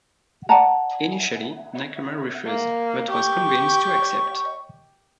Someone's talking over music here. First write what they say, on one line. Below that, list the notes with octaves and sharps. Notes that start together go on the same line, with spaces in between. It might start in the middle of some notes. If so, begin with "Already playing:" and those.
Initially, Nakamura refused, but was convinced to accept.
D5 F#5 A5 A#5
A#3
G4 C#6